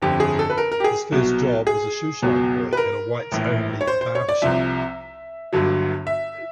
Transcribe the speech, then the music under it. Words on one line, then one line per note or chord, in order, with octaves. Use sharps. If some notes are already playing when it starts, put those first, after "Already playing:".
His first job was a shoeshine boy in a whites-only barber shop.
G1 F2 D3 F3 G4
G#4
A4
B4
A#4
A#4
G4
G#4
C2 B2 F#3
G#4
C#2 B2 F#3
B4
A#4
A#1 A2 E3
C#5
C5
C5
C#5
D5
C2 C3 F3 E5
G1 G2 D3 F#3
E5